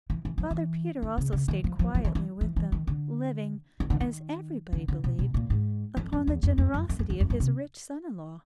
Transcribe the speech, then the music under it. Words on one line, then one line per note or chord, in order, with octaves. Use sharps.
Father Peter also stayed quietly with them, living, as everybody believed, upon the generosity of his rich son-in law.
E3
E3
F3
E3
D#3
C#3
C#3
D#3
F3
F3
F3
E3
E3
E3
E3
D#3
D3
D#3
D3
D#3
D3
D3
B2
B2
A#2
G#2
F2
F2
E2
F2
F2
F#2
F#2
F2
E2
F2
F#2
C3